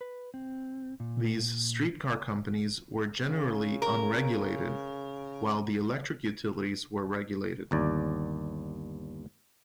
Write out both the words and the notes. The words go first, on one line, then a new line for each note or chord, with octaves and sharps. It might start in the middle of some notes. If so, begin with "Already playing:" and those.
These streetcar companies were generally unregulated while the electric utilities were regulated.
B4
C4
A#2
C#3
A#4
G1 D#2 D5